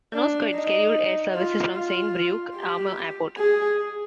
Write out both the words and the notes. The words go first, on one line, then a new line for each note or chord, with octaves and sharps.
There are no scheduled air services from Saint-Brieuc - Armor Airport.
D4
D#4
F4
F4
G4
G#4